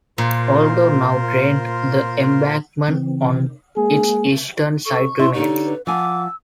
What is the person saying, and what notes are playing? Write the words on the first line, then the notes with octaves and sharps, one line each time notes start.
Although now drained, the embankment on its eastern side remains.
A#2 F4 A#4 C5
C#3 E3 C4
G#3 A#3 G#4
A4 C#6
E4 E5 C6
D3 D#4 G4 C#5
B4
F3 F#5 G#5 D6 E6